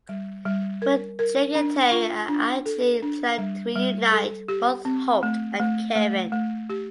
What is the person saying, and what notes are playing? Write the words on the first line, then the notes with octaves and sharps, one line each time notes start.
But Jake and Terry are actually planning to reunite both Holt and Kevin.
G3
G3
A#4
A#4
D4
F4
D4
A4
D4
G3
G3
A4
G4
C4
A3
A3
A3
A3
G4